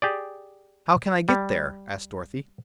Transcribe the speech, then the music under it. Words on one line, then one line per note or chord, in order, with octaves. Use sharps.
"How can I get there?" asked Dorothy.
G4 G#4 D5
G3